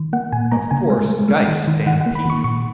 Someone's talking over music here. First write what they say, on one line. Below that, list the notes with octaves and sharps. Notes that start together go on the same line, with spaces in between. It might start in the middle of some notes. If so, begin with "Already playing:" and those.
Of course Geiss stampeded.
Already playing: D#3
A#3 F#5
A#2 G#5
A#3 A#5
C#3 G#5
G#3
G#3
G#3
D#3
D#3
D#3 F#5
A#3 F#5
B5
D#3 C#6
A#2 C#6